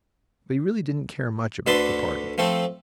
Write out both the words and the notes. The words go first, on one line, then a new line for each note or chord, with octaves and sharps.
But he really didn't care much about the party.
D2 D3 B4 A5 B5 C6
F3 A3 C4 A4